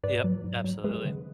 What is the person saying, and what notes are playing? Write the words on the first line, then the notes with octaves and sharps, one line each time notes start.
Yep, absolutely.
G#2 B4 D5
F#3
G#2
F#3
G#3 G#4 B4
D3